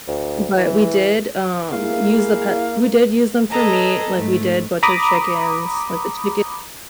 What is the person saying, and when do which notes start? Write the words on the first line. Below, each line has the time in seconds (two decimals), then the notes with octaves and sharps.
...but we did, um, use the pet we did use them for meat, like, we did butcher chickens, like the chicken,
0.08 D2
0.57 E3
1.73 A#3 E4 G#4 F5
3.51 G#4 A4 B4 D#5 A5 A#5
4.15 G#2 A3
4.83 A#5 B5 D6 D#6